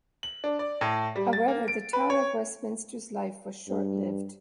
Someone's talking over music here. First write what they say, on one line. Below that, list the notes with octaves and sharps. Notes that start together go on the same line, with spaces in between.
However, the Town of Westminster's life was short-lived.
F#7
D4
D5
A2
G3
A6
A#3
D7
B4
C#5
G2